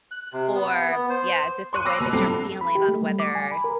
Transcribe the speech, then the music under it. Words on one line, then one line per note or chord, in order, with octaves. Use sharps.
or yeah, is it the way that you're feeling on whether
F#6
C3
B3
B3
C5
C6 C#6 F#6 D#7
B5 D6 E6 A#6 C7
B2 F7
G2 F#3 C4 A4 C7 F7
B5
G4
A3
G3
D6
G#5
B5
A#4